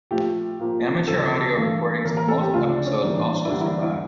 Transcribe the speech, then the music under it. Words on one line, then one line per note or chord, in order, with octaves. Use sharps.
Amateur audio recordings of most episodes also survive.
A#2 F3 A3 G4
A#2 F3 A#3
D2 C#3 F3 A4
G2 E3 A3
A2 E3 A#3 A#4
A#4
A4
G4
D2 C#3 F3 A3 F4
D4
C#4
A2 E3 G3 A#3 D4
D4
D4
E4
E2 D3 G3 A#3 D4
E4
D4
E4